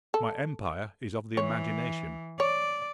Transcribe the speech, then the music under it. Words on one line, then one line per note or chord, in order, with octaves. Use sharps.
My empire is of the imagination.
A4
E3 C#5
C#5 D5